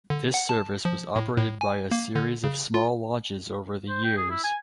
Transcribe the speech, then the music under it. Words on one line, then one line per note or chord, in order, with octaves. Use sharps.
This service was operated by a series of small launches over the years.
D3
F#5
A5
F3
A2
A2
G#5
A#3
D3
C#3
F4
C5
G5
G#4
E4
G#5